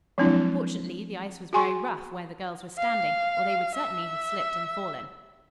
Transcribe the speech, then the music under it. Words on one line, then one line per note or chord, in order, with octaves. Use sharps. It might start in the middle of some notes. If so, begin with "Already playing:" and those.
Fortunately the ice was very rough where the girls were standing, or they would certainly have slipped and fallen.
F3 F#3 G#3 C4 D4 E4
F#4 G#4 G#5 C6 C#6
F5
E5